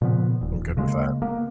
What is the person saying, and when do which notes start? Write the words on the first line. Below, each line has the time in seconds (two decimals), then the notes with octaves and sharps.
I'm good with that.
0.02 A#2 C#3 F3 B3
0.41 D#1
0.77 C#3 G#3 A#3
1.22 A#3 B3